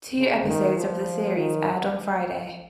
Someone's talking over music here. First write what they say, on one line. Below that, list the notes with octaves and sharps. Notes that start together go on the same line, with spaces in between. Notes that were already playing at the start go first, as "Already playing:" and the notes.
Two episodes of the series aired on Friday.
C#3
D#3
F3
D#3